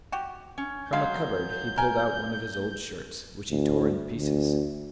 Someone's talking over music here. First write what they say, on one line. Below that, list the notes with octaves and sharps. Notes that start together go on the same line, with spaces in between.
From a cupboard he pulled out one of his old shirts, which he tore in pieces.
F#4 G4
C#4
F#3 G#3 F5 G6
A#4 G#5
D2
D2